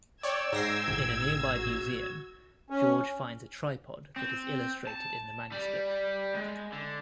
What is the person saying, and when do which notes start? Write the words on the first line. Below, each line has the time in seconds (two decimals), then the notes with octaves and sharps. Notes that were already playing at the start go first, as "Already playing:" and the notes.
In a nearby museum, George finds a tripod that is illustrated in the manuscript.
0.23 C#5 D5 G5 E6 G#6
0.52 G#2 G5 A#6 C7
0.88 A1
1.52 F#4
2.70 C#4
4.16 C4
4.87 A5
5.52 G3
6.35 G#3
6.73 D3